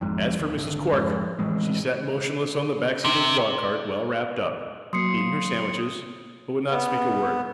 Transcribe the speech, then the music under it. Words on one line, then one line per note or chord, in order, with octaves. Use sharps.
As for Mrs. Cork, she sat motionless on the back seat of the dogcart well wrapped up, eating her sandwiches, but would not speak a word.
G#1 F2 G#2
D#2
G#1 D3
F2 G#2
A2 E3 G#3
C3
F#3 A#3 C6 D#6 C7 C#7
B3